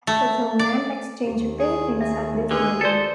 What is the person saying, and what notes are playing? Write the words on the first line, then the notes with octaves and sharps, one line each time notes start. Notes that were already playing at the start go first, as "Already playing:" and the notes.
The two men exchanged paintings at this meeting.
A3
D5
D#2 G4
G#4
G#4 E5
D3 G4 G#4 B4 C6
F#4 A4 C5 D5